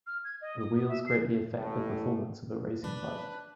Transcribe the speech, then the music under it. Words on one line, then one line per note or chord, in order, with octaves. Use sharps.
The wheels greatly affect the performance of a racing bike.
F6
G#6
D#5
D#6
D#6
E5
C7
A1 A2
D4 B4